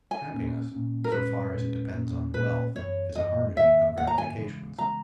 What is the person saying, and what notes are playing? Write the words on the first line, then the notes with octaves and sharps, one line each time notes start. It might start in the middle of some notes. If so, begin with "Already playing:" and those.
Happiness, so far as it depends on wealth, is a harmony of gratifications.
G#5
A#2 A#3 C#4
A#2 A#3 C#4
A#4
A#2 G#3 C#4 B4
A#2 G#3 C#4
A#2 A#3 C#4
A#2 A#3 C#4 B4
F#2 E3 B3 C#5
F#2 E3 B3 D#5
G#2 D#3 A#3 E5
G#2 D#3 A#3 F#5
A#5
G#5
C#3 E3 G#3 B3
C#3 E3 G#3 B3 A#5